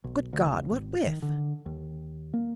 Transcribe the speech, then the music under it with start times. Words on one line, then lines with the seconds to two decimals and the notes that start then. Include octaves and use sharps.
'Good God! what with?'
0.04 B1
0.33 D2
0.46 C#2
0.71 G#1
1.07 D#3
1.22 D3
1.66 D#2
2.33 A#3